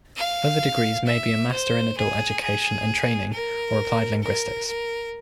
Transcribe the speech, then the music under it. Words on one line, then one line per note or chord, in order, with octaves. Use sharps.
Other degrees may be a Master in Adult Education and Training or Applied Linguistics.
F5
E5
C5
G#4
G#4
A#4
A#4
A#4